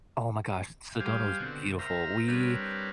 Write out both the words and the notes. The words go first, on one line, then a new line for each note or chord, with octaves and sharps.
Oh my gosh, Sedona was beautiful, we
G3 G4 C5 F5 G#5
B2 D3 C4 F#4
A#4 C5 E5 A#5
G3 C4 D4 A#4 B4 C#5